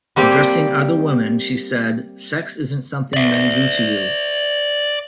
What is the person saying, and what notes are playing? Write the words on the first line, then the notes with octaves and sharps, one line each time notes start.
Addressing other women, she said, Sex isn't something men do to you.
G3 A#3 C4 G4
D5 E5